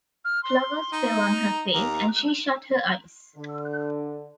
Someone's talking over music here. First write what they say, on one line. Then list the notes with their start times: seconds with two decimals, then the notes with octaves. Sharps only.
Flowers fell on her face, and she shut her eyes.
0.25 F6
0.43 C6
0.93 D#4
1.32 A#5
1.73 D#2 A#5
3.37 D3